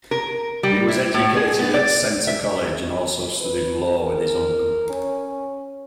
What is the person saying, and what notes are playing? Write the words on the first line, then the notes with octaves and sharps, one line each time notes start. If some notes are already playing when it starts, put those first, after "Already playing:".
He was educated at Centre College and also studied law with his uncle.
A#4
G3
E4
A2
G#4
B3
D5
E5
B4
A#4
C#4